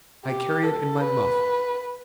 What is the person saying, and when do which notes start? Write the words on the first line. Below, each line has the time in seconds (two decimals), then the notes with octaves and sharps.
I carry it in my muff.
0.25 G4
0.64 A4
1.01 B4